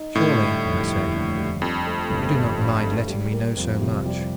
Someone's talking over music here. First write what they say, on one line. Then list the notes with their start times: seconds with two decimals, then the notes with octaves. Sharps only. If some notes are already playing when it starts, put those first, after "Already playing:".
"Surely," I said, "you do not mind letting me know so much."
Already playing: D#4
0.15 A2 D3
0.41 G3
0.65 F1
0.89 D#2
1.13 D3
1.37 G3
1.62 F2 D3
1.87 A3
2.10 G1
2.35 G2
2.59 D3
2.83 A3
3.07 G3
3.32 A#3
3.57 F2
3.80 C3
4.05 G3